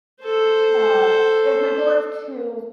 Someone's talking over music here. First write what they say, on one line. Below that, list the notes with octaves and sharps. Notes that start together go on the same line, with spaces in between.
uh, if my goal is to
A4 C5